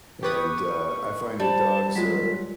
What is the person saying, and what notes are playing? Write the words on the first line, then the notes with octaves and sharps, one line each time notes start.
and, uh, I find that dogs are
G4 B4 C#6 D#6
G3 C5 A5
F#3 G#3 F4 B6